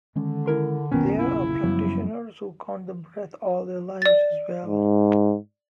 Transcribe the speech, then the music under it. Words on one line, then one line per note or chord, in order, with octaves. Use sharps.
There are practitioners who count the breath all their lives as well.
D3 D#3 G#3 C#4
E4 A#4 C6
F1 B1 A#2 D#3 B3 C#4
C#3 E4
F#2 F3 G3 B3
D5 A6
G#2